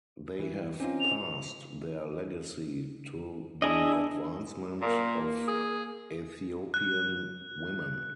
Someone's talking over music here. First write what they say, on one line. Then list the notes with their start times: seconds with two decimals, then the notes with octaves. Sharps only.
They have passed their legacy to the advancement of Ethiopian women.
0.39 E3 E4
0.80 C4 C#4 D#4 F4
1.01 F7
3.62 D4 E4 G#4 D#5
4.81 A#2 A#3
5.48 G#4
6.74 F#6